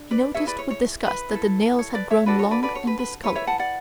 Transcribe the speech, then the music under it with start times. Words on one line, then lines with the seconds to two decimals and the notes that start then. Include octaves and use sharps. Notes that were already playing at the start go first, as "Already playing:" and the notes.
He noticed with disgust that the nails had grown long and discolored.
Already playing: D4
0.11 B4 D5
0.34 E4 G#4 B4 C#5 E5
0.47 B4 D5
0.59 C#5
0.70 C#5
1.07 B4
1.32 E4 A4
1.79 C#5
1.95 B4 D5
2.10 C#5 E5
2.26 D4 F#4 A4 B4 D5
2.39 C#5
2.51 B4 D5
2.63 B4 D5
2.75 C#5
2.87 B4
2.99 B4
3.23 E4 B4 C#5
3.35 C#5 E5
3.47 F#5 A5
3.59 D5 F#5